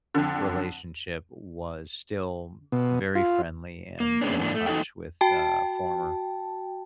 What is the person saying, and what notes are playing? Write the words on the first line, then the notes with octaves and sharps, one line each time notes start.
relationship was still very friendly and in touch with a former
F2 D3
B2
F4
A#3
G#3 A#3 B3 C#4 D4
G#2 E3 A#3 D4
A3
E2 D#4 F#4 A4 G5
F#4 G5 A5